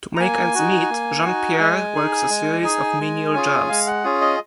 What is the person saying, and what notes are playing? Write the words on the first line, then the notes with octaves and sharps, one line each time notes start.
To make ends meet, Jean-Pierre works a series of menial jobs.
A#5
A#3 G#5
D#4 F#4
A#3
D#4 F#4
G#3 G#5
D#4 G#4
G#3
D#4 G#4
G#3
C#4 F4 G#4
G#3 F5
F#5
C#4 F4 G#4
D#5